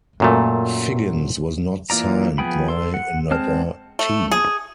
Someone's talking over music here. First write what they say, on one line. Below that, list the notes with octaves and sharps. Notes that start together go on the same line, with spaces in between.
Figgins was not signed by another team.
F#2 A#2 A3
E3 A#3 F4 D5 A#5
F3 B3 G#4 G5 B5
A4 C6
F#5
G#3 C4 C5 A5 F6
A3
G#4